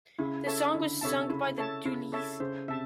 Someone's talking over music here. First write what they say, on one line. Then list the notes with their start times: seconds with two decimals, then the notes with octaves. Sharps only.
The song was sung by The Dooleys.
0.19 C#3 E4
0.46 A4 C#5 E5 A5
0.74 D3 E4
1.01 C3 A4 C#5 E5 A5
1.30 C#3 E4
1.58 A4 C#5 E5 A5
1.85 C#3 E4
2.12 A4 C#5 E5 A5
2.40 C#3 C5
2.68 C3 E5 A5